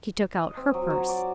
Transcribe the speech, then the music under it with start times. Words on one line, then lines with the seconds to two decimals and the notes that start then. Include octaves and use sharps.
She took out her purse.
0.37 D#5
0.57 C4
0.74 F#3
0.90 F#3
1.09 D5